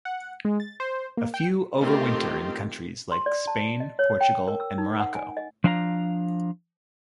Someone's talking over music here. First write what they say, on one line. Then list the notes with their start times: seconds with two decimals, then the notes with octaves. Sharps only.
A few overwinter in countries like Spain, Portugal and Morocco.
0.05 F#5
0.45 G#3
0.60 A6
0.80 C5
1.17 A#3
1.34 G5
1.78 D#3 A3 C4 D#4 F4 G4
3.12 C6
3.26 D5
3.47 A5
3.80 D#5
3.99 C#5
4.21 G5
4.48 A#4
4.60 E6
4.78 D#4
5.00 F#5
5.15 G#5
5.37 D#5
5.64 F3 D4 F5 F#5 A#5